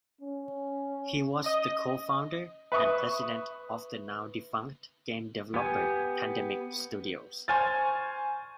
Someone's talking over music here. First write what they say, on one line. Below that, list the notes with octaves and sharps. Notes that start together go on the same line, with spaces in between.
He was the co-founder and president of the now defunct game developer Pandemic Studios.
C#4
D#5
B4 E5 C#6 D#6
B3 G4 G#5
C5 G#5 C#6 F6 G6 A6